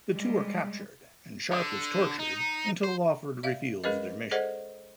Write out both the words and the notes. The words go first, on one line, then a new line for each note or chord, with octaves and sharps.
The two are captured and Sharpe is tortured until Lawford reveals their mission.
G3 G#3
D3
D#4
C5
D5 E5 F5
G#3 C#4 G#4 A#4 B4 D#5
G#4 A4 C5 D5 D#5 F#5